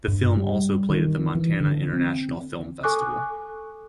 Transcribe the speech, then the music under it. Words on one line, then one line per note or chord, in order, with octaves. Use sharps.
The film also played at the Montana International Film Festival.
G2
G3
D#3
E3
D3
C4
A4 G#5 C#6 D6 F#6